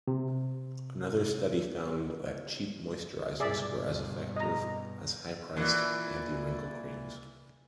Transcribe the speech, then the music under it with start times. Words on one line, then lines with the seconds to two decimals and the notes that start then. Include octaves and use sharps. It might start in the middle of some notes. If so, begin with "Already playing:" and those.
Another study found that cheap moisturisers were as effective as high-priced anti-wrinkle creams.
0.08 C3
3.40 G2 B2 G#4 D5 E5
4.36 D#5 A#5
5.57 A#2 E3